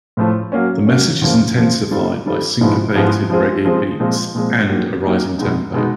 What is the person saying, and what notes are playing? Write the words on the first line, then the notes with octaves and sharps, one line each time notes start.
The message is intensified by syncopated Reggae beats, and a rising tempo.
A2 F3 A3
F#3 A#3 C#4
F#3 A#3 C#4
E2 C#3 F3 A#3
E2 C#3 F3 A#3
D#3 G3 C4 F4 A4
D#3 G3 C4 F4 A4
G#2 F3 G#3 B3 E4
G#2 F3 G#3 B3 E4
F3 G#3 C4 F4 G#4
F3 G#3 C4 F4 G#4
A#2 F3 G#3 C4
A#2 F3 G#3 C4
F#3 A#3 D#4 G4
F#3 A#3 D#4 G4
B2 G#3 B3 D#4
B2 G#3 B3 D#4